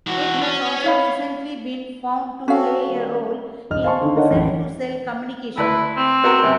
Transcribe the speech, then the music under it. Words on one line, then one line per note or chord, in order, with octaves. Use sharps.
It has also recently been found to play a role in cell-to-cell communication.
E3 F#4
C#4
C#5 F5 B5
C4 C#4 F#4 A4 F5
D#3 G3 A#3
D1 D#5 F6
C5 F5 G#5 A5 C6 C#6
D3 D#3
D4 D#4 A#4 C#5 D#5 F#5
D1 A1
D2 E4 B4
C4
B3 F#4 A#4
F#2 C3